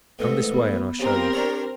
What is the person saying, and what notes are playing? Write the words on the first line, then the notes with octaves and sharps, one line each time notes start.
Come this way and I'll show you.
A1 G#2 B2 A4
B3
C#3 C4 G4 A#4
D4 A4 C#5